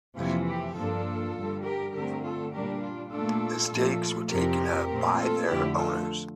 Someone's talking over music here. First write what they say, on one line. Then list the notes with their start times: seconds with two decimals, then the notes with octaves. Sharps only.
The stakes were taken up by their owners.
0.17 F2 C3 E3 A#3 F4
0.46 E4 G4
0.76 G2 F3 A#3 D4 F4 A4
1.35 G2 D3 G3
1.64 G4 A#4
1.94 D3 A3 C4 G4 A#4
2.23 F4 A4
2.53 A#2 G3 D4 G4 A#4
2.82 F4
3.11 A#2 A3 D4 F4 A4
3.70 A#2 F3 A3
4.30 F2 C3 F3 C4 G4 A#4
4.89 A#2 A3 C4
5.18 F4 A4
5.48 F2 D3 A3 E4 G4
5.77 F4 A4